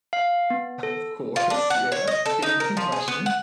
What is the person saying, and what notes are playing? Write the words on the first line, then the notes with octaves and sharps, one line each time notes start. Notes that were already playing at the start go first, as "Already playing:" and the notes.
Of course. Yeah. I'm getting that impression.
F5
B3
A4
F4
D4
F#5
C#5
D#5
A4
D#4
A#4
F3
G#4
B3
F#5